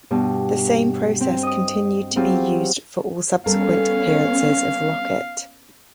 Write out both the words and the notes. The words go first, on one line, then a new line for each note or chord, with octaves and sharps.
The same process continued to be used for all subsequent appearances of Rocket.
G2 B2
C4
D#5 D#6
F#3 C4 E4 F4 G4 G#4
G3 B3 C#4 A4 A#4 F5